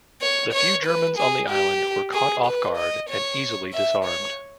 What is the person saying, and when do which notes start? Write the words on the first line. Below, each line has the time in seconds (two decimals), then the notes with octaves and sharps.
The few Germans on the island were caught off guard and easily disarmed.
0.22 C#5
0.53 C#5
0.85 B4
1.17 G#4
1.50 G4
2.13 G#4
2.46 B4
2.77 D#5
3.09 C#5
3.73 E5
4.05 C#5